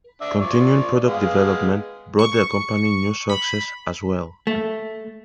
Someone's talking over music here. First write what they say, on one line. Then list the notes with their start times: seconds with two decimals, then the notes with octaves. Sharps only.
Continuing product development brought the company new successes as w ell.
0.21 D4 E5
0.41 F3 D5 C#6
1.07 G#3 B3 F5
2.19 C#6
3.29 B5
4.47 A3